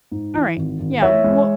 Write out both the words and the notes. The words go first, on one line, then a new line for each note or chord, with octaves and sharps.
Alright. Yeah, wha
G#2
E3
G#1
G#1
E3 C#5 E5
G#3